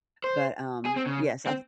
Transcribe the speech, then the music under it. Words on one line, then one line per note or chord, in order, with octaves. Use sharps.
but, um, yes, I s
C5
G#4
C4
C#3
C4